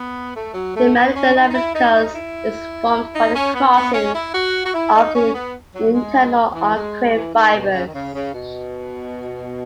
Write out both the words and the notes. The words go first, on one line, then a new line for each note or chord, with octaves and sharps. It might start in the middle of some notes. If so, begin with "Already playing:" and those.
The medial lemniscus is formed by the crossings of the internal arcuate fibers.
Already playing: B3
A3
F#3
A3
B3
C#4
D#4
D#4
E4
D#4
D#4
E4
D#4
C#4
B3
B3
C#4
E4
F#4
F#4
E4
D#4
C#4
B3
F#3
G#3
E3
G#3
E3
D#3
B2
C#3
D#3
C#3
C#3
B2